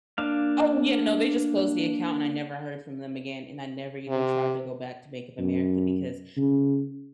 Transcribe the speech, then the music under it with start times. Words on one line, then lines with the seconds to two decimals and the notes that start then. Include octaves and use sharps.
Oh yeah, no, they just closed the account and I never heard from them again, and I never even tried to go back to Bank of America because, uh,
0.18 A#3 D4 F5
4.09 C3
5.39 F#2
6.37 C#3